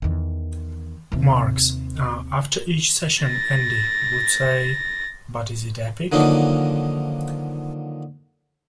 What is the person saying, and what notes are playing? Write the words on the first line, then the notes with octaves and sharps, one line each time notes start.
Marx: After each session Andy would say, 'But is it epic?
E2 D#3
D#2 C3
A6 A#6
D3 D#3 F3 F#3 A#3 D#4